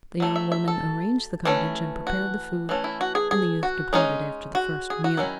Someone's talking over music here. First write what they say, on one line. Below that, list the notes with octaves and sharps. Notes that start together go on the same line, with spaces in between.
The young woman arranged the cottage and prepared the food, and the youth departed after the first meal.
F#3 A3
E5
E5
A4
E3 A3 C#4
F#4
E3 A3 C#4
E4
F#4
G#4
G#4
F#4
G#3 C#4 D#4
F#4
G#4
F#4
D#3 F#3 C#4 E4